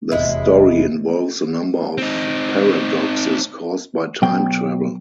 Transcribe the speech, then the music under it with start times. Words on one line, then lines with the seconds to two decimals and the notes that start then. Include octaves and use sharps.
The story involves a number of paradoxes caused by time travel.
0.12 F1 E2 A2 G#3 E4
1.98 C4 D#4
4.22 B2 F#3 G5